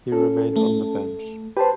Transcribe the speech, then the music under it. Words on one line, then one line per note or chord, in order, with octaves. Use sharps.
He remained on the bench.
C#4 A4
A3
G4 B4 C5 A5